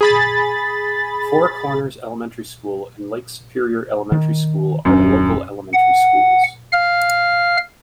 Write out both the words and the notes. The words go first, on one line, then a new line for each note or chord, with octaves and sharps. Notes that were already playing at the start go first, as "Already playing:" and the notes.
Four Corners Elementary School and Lake Superior Elementary School are the local elementary schools.
G#4 B5 A6
D#3
D#1 F#2 D4
F#5
F5 F6